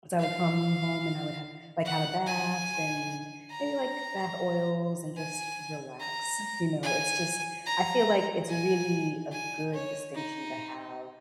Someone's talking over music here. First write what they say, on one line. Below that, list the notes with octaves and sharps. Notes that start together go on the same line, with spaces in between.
So, I would come home and I would ha like, have a bath and maybe, like, bath oils and just relax, you know? It's just I feel like it's really a good distinction to have
F5
F#5
G#5
A#5
G#5
A#5
G#5
A#5
G#5
G#5
C#5
D#4